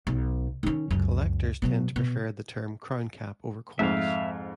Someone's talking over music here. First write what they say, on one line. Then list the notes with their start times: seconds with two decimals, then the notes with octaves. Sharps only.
Collectors tend to prefer the term crown cap over corks.
0.07 B1
0.63 D#3 C#4
0.91 C#2 F#2
1.62 B2 F#3
1.96 B2
3.79 F2 G#2 E5 F5